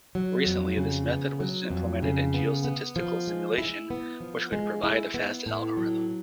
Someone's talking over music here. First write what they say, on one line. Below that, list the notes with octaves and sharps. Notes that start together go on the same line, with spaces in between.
Recently, this method was implemented in geostatistical simulation which could provide a fast algorithm.
F#3
F2
C#3
B3
F#3
F2
C#3
B3
B3
F3
G#3
E4
B3
F3
G#3
E4
B3
A2
F#3